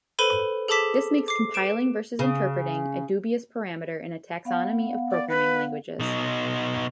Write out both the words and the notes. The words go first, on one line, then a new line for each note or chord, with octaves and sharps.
This makes compiling versus interpreting a dubious parameter in a taxonomy of programming languages.
A4 B4 C5 B5 D#7
G#4 A4 A5 D6 B6 E7
D6 C7
B4 D7 E7
C#3
B3 F5 F#5
D5
B4
B2 D#4